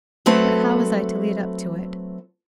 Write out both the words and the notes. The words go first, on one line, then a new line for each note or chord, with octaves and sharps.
But how was I to lead up to it?
F#3 A3 C4 A4 B4